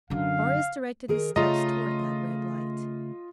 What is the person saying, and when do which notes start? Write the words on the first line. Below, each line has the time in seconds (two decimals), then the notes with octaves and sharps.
Marius directed his steps towards that red light.
0.10 F#2 D3 F5
1.08 D#3 G#4 A#4
1.36 C#3 A3 F4 D#5 A#5